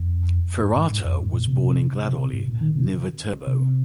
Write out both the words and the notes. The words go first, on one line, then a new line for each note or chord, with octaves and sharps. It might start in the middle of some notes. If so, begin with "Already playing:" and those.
Ferrata was born in Gradoli, near Viterbo.
Already playing: F2
G#2
G#2
G#2
F2
G#2
A#2
C3
C3
C3
G#2
A#2
D#3
C3
C3